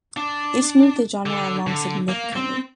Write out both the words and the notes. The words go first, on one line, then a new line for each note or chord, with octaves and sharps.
This moved the genre along significantly.
D4
D3
D3
A#3
C4